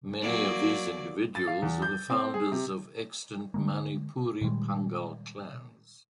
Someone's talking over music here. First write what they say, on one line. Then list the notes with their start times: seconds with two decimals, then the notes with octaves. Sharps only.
Many of these individuals are the founders of extant Manipuri Pangal clans.
0.22 F#3 A#3 D5
1.35 A6
1.47 F5
1.62 E2
1.82 G6
2.10 C4
2.34 G#4
2.52 C3
3.54 D3 G#3 A#3
4.41 A#2 D#3 G3 G#3